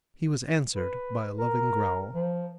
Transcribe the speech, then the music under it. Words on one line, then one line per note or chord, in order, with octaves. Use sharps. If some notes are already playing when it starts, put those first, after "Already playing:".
He was answered by a loving growl.
B4
A#4
F3